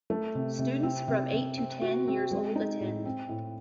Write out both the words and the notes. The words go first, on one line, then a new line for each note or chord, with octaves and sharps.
Students from eight to ten years old attend.
A3
C3
C3
C4
C3
C3
C4
F#4
C4
G#3
D#4
A2
C4
A2